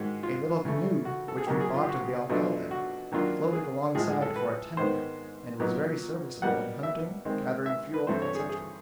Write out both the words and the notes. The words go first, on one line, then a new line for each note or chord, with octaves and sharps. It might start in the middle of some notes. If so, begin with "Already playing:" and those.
A little canoe, which we bought of the alcalde, floated alongside for a tender, and was very serviceable in hunting, gathering fuel, etc.
Already playing: G#2 D#3 G#3 F#4
F4
C#3 E3 A3
F#4
A4
G#4
C#3 F#3 A#3 D#4 G4
G#4
F4
G4
F#4
B2 F#3 A3 D4 F4
F#4
D#3 F#3 A#3 D4 F4
G#4
A2 F3 G#3 G#4
G#4
A4
B4
G#2 D#3 G#3 B3 C5
A#2 F#3 B3 D#4
B2 G3 A#3 F#5
E5
D#3 G#3 C4
E5
B4
G2 E3 A3 C4 E4 C5
C#5
G#4
G#4